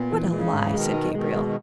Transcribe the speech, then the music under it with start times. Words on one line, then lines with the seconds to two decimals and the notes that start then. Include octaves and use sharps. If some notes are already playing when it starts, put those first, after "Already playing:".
"What a lie!" said Gabriel.
Already playing: A#2 B3
0.12 E3
0.33 C#3 G#3
0.53 G#2
0.64 E3
0.73 B2 D#3 G#3
0.94 D#4
1.14 B2 D#3 G#3
1.35 G#3
1.45 D#3